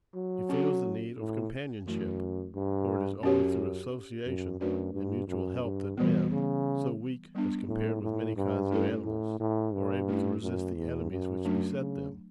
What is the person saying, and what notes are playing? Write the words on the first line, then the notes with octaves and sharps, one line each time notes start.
He feels the need of companionship, for it is only through association and mutual help that men, so weak as compared with many kinds of animals, are able to resist the enemies which beset them.
F#3
C#4 F#4 A4
A2
F#2 E3 A3 C#4 E4
G2
F#2 C#4 G4 C#5
F#2
F#2 A3 D4 F#4 B4 D5
G2
F#2
G2
B2 E3 G3 B3
C#3
G3 B3 D4
A2
A2
G2
A3 C#4 E4 A4
A2
A2
G2
A3 C#4 E4
F#2
E2
F#2
F#3 A3 D4
C#3